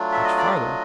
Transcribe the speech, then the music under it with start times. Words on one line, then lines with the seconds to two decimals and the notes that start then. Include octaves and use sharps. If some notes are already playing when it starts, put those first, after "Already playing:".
'Much farther!
Already playing: F#3 A3 D4 F4
0.12 E5
0.24 D#5
0.37 D5
0.51 D#5